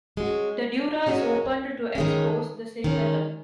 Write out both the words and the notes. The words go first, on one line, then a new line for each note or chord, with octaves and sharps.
The dura is opened to expose the cerebellum.
G#3 C#4 F#4
G#3 C#4 F#4
D#3 G#3 C#4
D#3 G#3 C#4